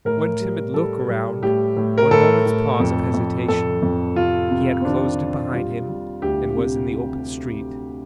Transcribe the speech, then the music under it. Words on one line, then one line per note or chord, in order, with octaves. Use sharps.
One timid look around--one moment's pause of hesitation--he had closed it behind him, and was in the open street.
A2 A#4
G3
G3 A4
G3
A2 G4
A2
A#4
A2 A4
A2
F2
F2
F2 A4
F2
C3 F4
C3
C4
D#3 D4
D#3
G3 F4
G3
D2 G4
C3